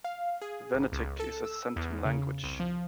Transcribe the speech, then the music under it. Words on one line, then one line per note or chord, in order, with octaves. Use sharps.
Venetic is a centum language.
F5
G#4
G#1
C#2
A4
E6
E2
C#3
C2
F3